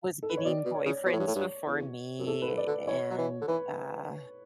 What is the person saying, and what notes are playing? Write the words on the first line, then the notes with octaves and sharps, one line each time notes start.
was getting boyfriends before me, and, uh
A4
B4
C#5
B2 D5
B2
C#5
C#3
B2 C#5
A2
G2
A2
G2
E2
F#2
E2 A4
D3 B4
D5
D3
E3 C#5
F#3
E3
D3
E3 B4